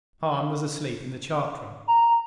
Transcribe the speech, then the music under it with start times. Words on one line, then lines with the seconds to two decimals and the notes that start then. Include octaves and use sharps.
Hahn was asleep in the chart room.
1.88 A#5